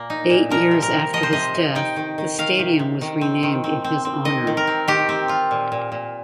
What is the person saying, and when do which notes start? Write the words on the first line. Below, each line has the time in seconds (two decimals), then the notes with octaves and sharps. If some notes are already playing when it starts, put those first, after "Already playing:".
Eight years after his death, the stadium was renamed in his honor.
Already playing: A#2 A#3
0.10 D#4
0.30 A#2
0.50 F3 A#4
0.71 C3
0.82 A#4
0.92 C3
1.13 F3 D#5
1.23 C5
1.33 C3 D#5
1.55 C3
1.75 D#4 G5
1.96 D#3
2.18 D#3
2.38 D#3 F5
2.59 C3
2.79 C3
3.01 D#3
3.21 C4
3.43 D#3
3.64 C4
3.84 C4
4.05 C4
4.25 D#3 D#5
4.47 D#3
4.57 A#4
4.67 C4
4.88 D#3 G4
5.09 C4
5.29 F4
5.51 A#2
5.72 A#2
5.92 A#2